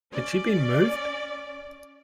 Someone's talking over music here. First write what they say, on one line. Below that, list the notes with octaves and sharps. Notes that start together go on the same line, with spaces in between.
Had she been moved?
C#4 D5